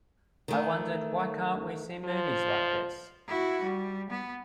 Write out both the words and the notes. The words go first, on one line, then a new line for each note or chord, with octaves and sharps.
I wondered, why can't we see movies like this?
D#3 A3
F3
E4 F#4
G3
B3